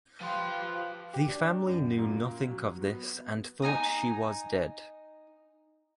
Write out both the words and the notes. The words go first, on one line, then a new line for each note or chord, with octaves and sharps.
The family knew nothing of this and thought she was dead.
F3 G4 B4 F5 C6
G4
D4
F#2
A#2
F#3
B3
D#4 G#5 A#5 D#6